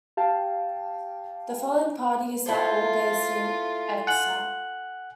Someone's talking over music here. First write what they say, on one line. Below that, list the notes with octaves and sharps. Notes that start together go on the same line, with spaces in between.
The following parties are all based in exile.
G4 F5 G5 A5
A3 E4 F4 A4 C5
F#5 G#5 F#7